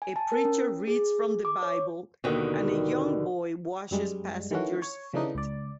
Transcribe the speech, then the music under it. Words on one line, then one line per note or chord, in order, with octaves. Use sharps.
A preacher reads from the bible and a young boy washes passenger's feet.
G#5
A5
A#4
C#4
G#4
D6
C#5
D#2 B2 D3 D#3
F#2 G3 G#3
D#3 E3 A3 C#4 F#4
C#5
C#3 E3 A3 D4 D#4
C#2 D5